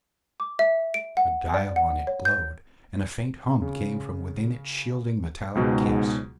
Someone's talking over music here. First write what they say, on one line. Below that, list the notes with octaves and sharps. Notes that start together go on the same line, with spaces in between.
A dial on it glowed and a faint hum came from within its shielding metallic case.
D6
E5
D7
F#5
D5
F#5
C#5
G6
C#3
C#2 G#2 B2 F#3